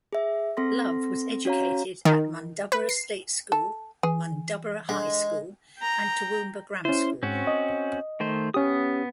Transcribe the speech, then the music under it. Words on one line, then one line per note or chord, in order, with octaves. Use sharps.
Love was educated at Mundubbera State School, Mundubbera High School and Toowoomba Grammar School.
G#4 E5
C4 A4 C6 A#6
C#4 F#4 C#5 F5 A#5
D#3
B4
C7
A4
E3 G#4
D3 G#3
G5 A#5
C#4 E4 C5
G#2 C4 C#4 F#4
D#5
D#3 A3 C5
B3 C#4 G4 D#6